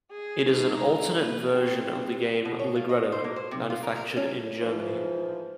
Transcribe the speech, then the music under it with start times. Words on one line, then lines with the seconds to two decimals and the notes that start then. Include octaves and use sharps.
It is an alternate version of the game Ligretto, manufactured in Germany.
0.12 G#4
0.41 G#2
0.76 A#5
1.20 A#3 B4
1.51 C4 G4
2.45 B2
2.59 C#5
2.75 F4
2.89 D#5
3.12 C5
3.24 A#3
3.36 C5
3.51 C3
3.70 F4
3.82 A#4
3.96 A#4
4.17 C#4
4.60 G#2 E3 F3